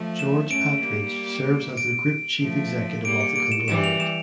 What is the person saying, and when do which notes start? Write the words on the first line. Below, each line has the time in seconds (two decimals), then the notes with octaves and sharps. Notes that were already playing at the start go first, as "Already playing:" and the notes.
George Patridge serves as the Group Chief Executive of the conglomerate.
Already playing: F3 A3
0.19 E7
0.50 A3 C#4 D7
0.82 G3 A#3
1.77 D7
2.41 F3 A3
3.05 G3 A#3 D7
3.21 C#7
3.36 D7
3.52 E7
3.68 E3 G3 E7
3.84 F7
4.00 E7